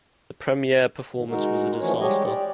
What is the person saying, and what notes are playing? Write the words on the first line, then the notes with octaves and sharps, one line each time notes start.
The premiere performance was a disaster.
G#2 C3 D#3
G#3 D#4 F#4 A#4
E3 F3 A3 C#4 C#5
G3 G#3 G4 C#5 D#5
G4 D5